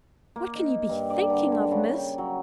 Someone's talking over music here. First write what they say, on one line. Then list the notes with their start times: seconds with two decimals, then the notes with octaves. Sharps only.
What can you be thinking of, Miss?
0.36 A#3
0.55 D#4
0.89 G2
1.10 D5
1.30 D3
1.52 D3
1.71 C#3
1.98 G5
2.18 F#3